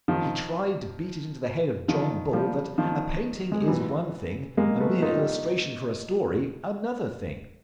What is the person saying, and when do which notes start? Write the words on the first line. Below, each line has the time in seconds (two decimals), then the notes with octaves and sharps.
He tried to beat it into the head of John Bull that a painting is one thing, a mere illustration for a story another thing.
0.08 D#3 F3
1.88 D#3 F3
2.33 F3 G3
2.78 D#3 F3
3.52 G#3
3.61 G3
3.68 E3 F#3
4.57 G#3 A#3
4.80 A3 B3
5.02 D#4 F4
5.17 G4